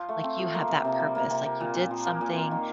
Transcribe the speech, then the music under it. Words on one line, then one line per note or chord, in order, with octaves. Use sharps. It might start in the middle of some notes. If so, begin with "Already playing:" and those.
like you have that purpose, like you did something
Already playing: F3 F4
A3
C4
F3
A#3
C3
C3
G3
A#3
C3
A#3
A#2
A#2
F3
A#3
A#2
C4
D#3